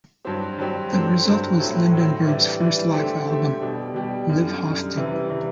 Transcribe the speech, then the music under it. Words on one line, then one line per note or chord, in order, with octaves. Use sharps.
The result was Lindenberg's first live album "Livehaftig".
G2 F#3 C4 G4
G2 F#3 C4 G4
G2 D3 F#3 C4
G2 D3 F#3 C4
A2 F#3 C4
A2 F#3 C4
E3 G3 D4
E3 G3 D4
D3 A3 C4 G4
D3 A3 C4 G4
B2 G3 D4 G4
B2 G3 D4 G4
F#2 D3 G3
F#2 D3 G3
C3 E3 G3
C3 E3 G3